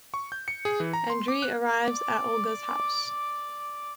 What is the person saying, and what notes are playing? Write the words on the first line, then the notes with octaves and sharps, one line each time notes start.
Andreï arrives at Olga's house.
C#6
G6
C#7
G#4
E3
A#5
C6
D6
F#6
D5 D6